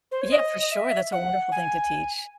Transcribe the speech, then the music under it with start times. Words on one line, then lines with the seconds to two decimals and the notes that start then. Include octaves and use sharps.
Yeah, for sure, that's a wonderful thing to teach,
0.12 C5
0.22 C#5
0.31 D#5
0.61 D#5
0.72 E5
1.12 F#5
1.52 G#5